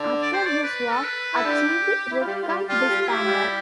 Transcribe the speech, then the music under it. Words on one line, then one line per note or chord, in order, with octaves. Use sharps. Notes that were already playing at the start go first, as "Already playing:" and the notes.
After this was achieved Redgum disbanded.
Already playing: D3 D4
D5
C5
D5
B4
A4
B4
E4 A4
D3 D4 G4
E4
F4
G3 G4
F4
G3 G4
G3 F4 G4
A4
G3 G4
F4
E4 G4
F4
G3 G4